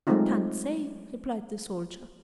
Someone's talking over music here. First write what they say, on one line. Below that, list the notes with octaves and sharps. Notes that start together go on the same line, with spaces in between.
"Can't say," replied the soldier.
F#3 G#3 A3 C4 D#4 F4